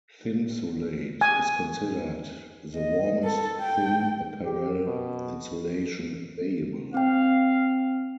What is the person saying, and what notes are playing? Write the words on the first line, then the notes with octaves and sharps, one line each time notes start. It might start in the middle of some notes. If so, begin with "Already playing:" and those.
Thinsulate is considered "the warmest thin apparel insulation" available.
G#5
D#5
A4
G5
G4
B2
C4 F5 G5